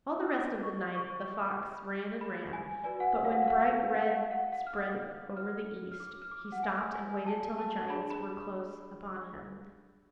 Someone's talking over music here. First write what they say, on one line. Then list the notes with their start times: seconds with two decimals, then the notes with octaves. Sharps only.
All the rest of the night the fox ran and ran; but when bright red spread over the east, he stopped and waited till the giants were close upon him.
0.24 F6
0.31 F4 A4 C#5 D6
0.63 C#6
0.95 C#6
2.21 B5
2.53 G#5
2.84 F#4 B4 D5 G#5
3.00 F#5
3.15 F#5
3.25 F5
3.32 F#5
3.41 F5
3.48 F#5
3.63 F5
3.80 F5
3.94 F#5
4.10 F#5
4.31 F#5
4.52 F#5
4.67 F6
4.73 D6
5.36 F#4 C#5 F6
5.92 F6
6.00 D6
6.22 F6
6.31 D6
6.52 F#5
6.63 G#5
6.94 G#5
7.26 A5
7.58 A5
7.89 D4 G#4 D5 B5
8.10 B5